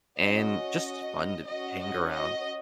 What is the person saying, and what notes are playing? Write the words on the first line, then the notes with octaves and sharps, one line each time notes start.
and just fun to hang around.
C#4 F#4 D#5
C#4 F#4 D#5
D#5
D#5